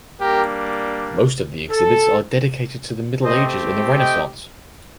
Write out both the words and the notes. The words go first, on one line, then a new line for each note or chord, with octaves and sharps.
Most of the exhibits are dedicated to the Middle Ages and the Renaissance.
G3 A#3 D4 G4 A#4
A4
A3 C4 G4 C5 D#5
D#5 G5